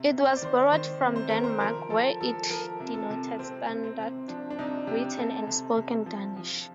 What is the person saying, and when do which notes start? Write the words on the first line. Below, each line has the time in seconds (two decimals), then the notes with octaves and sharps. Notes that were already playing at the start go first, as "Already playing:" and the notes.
It was borrowed from Denmark where it denoted standard written and spoken Danish.
Already playing: C3
0.12 C3
0.27 C5
0.36 D5
0.42 D#3 C5
0.72 D#3 C5
1.01 C3
1.16 C5
1.30 D#3 A#4
1.44 C5
1.61 F3 A#4
1.90 F3 A4
2.21 F3 A4
2.50 F3 A#4
2.80 C3
2.94 A4
3.10 C3
3.39 C3 C4
3.69 C3
3.84 C4
3.99 C3
4.28 F3 D4
4.50 D4
4.59 C3 D#4
4.87 C3 G4
5.17 C3 A4
5.47 C3
5.77 C3
6.06 F3
6.36 F3